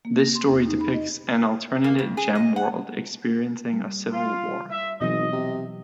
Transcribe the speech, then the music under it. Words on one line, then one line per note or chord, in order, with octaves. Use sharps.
This story depicts an alternate Gemworld experiencing a civil war.
A#3
A#6
C6
E2
D#4
B5
D#5
A#3
F2
G#4
D#5
F#5
G3
F4
E5
G#1 B2 E3 F#3 D#5
C3